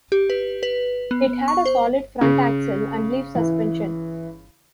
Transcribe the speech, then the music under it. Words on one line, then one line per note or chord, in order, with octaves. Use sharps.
It had a solid front axle and leaf suspension.
G4
B4
B4
B3
C#6
C5
C#3
E3